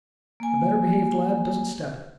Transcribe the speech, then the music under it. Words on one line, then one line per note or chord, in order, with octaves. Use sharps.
A better-behaved lad doesn't step.
A#3 G#5